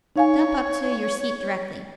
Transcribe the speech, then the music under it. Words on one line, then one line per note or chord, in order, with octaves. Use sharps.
Jump up to your seat directly.'
D#4 C#5 F5 G#5